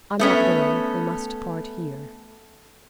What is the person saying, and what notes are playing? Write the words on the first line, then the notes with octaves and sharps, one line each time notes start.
"I'm not going; we must part here."
A3 B3 C#4